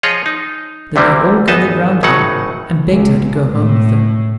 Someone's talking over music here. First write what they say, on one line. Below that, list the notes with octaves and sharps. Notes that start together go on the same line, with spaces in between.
Then they all gathered round her, and begged her to go home with them.
F3 F4 G#4 C#5 D#5
D#4
D2 C3 E3 G3 A#3
G#1 E2 B3 D#4 D#5 A5
G#1 A2 C#3 F#3 D#4 F#5
C#2
A2